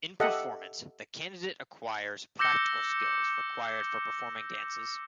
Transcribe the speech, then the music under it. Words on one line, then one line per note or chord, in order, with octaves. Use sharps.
In Performance, the candidate acquires practical skills required for performing dances.
G4 A4 D#5 E5 F#5
D6 E6 G6 A#6 C#7 G7